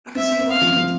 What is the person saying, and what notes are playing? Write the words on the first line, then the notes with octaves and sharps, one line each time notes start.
I can see land!
C4 E5
C4
F5
F3